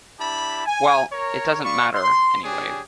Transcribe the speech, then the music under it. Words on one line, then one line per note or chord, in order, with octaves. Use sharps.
Well, it doesn't matter, anyway.
D4 E4 G4 A5 B5
G#5
A#4 C#5
D5 F5 B5 C#6
C6
D4 G4 G#4 C#5 G#5